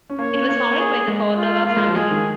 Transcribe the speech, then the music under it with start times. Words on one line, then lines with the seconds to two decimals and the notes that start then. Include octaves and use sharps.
It was founded by the Cordova family.
0.10 C#4
0.19 A#3 C#5
0.34 C#4
0.48 A#3 C#5
0.78 G#4
1.08 G#3
1.37 F4
1.66 A#3 F4
1.77 G#3
1.86 F3
1.96 G#3 G#4
2.11 D#3